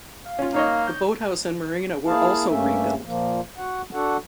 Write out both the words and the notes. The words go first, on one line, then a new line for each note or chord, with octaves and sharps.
The boat house and marina were also rebuilt.
F5
C#4 F4
A#3 D#4 C#5 D#5
G6
A#3 E4 G#4 F5 A5
G2 A3 A#3 C#4 E5
A#2 F3 A#3
F#4 F#5
D4 F#4 A4 F#5